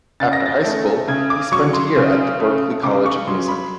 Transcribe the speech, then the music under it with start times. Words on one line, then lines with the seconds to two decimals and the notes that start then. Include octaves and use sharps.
After high school, he spent a year at the Berklee College of Music.
0.20 C#3 A6
0.33 A#6
0.46 A6
0.64 A3
1.08 C#3 G#6
1.30 D6
1.52 F#3 C#6
1.73 C6
1.96 C#3
2.40 A3
2.83 C#3 D6
3.06 C#6
3.28 F#3 C6
3.48 B5